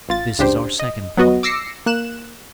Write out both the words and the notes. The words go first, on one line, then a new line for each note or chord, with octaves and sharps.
This is our second point.
A1 F4 A6
C#2 C#3 D4 G4 C5
D#5
F#3 B3 F#4 D#5
D6 E6 A#6 C7 C#7
A#3 F#6 E7